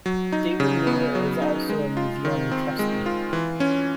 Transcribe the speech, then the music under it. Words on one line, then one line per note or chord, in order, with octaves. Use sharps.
David Mugar is also a Museum trustee.
F#3
D#4
C#3
B3
F#3
D#4
G#3
F4
D#3
C4
G#3
F4
E3
C#4